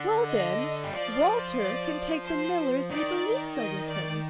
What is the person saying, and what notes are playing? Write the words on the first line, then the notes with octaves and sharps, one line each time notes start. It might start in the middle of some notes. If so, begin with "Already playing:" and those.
'Well, then, Walter can take the miller's little Lisa with him.
Already playing: D3
D#5
G3
F3 D5
D5
C5
D#3 D5
D#5
D5